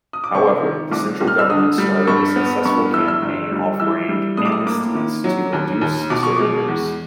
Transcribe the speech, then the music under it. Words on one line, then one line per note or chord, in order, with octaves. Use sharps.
However, the central government started a successful campaign offering amnesties to induce surrenders.
D#6
D6
C3 C#6
D#3
C2 D6
C2
F6
E6
D3 D#6
G3
G2 C#6
B3
G2 C#6
E3 E6
E6
G1
G3
E3 E6
G3
A2 D#6
D6
D#6
A#3 D6
D#3
F#3
D#2
D#2
B2 D6
C#6
G#3 D6
E2